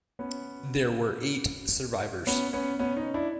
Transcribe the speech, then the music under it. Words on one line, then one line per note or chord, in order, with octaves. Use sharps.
There were eight survivors.
B3 C#4
B3 C#4
B3 C#4
B3 C#4
C#4 D#4
D4 E4